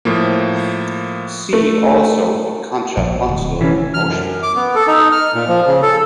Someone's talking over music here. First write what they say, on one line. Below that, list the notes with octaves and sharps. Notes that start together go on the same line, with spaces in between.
See also contrapuntal motion.
A2 F3 A#3
A3
A#1 F3
D1
C3 E3 C#4
F6
F#2
D6
B3
A4
D#4
F6
A#2
F3
C#3
A4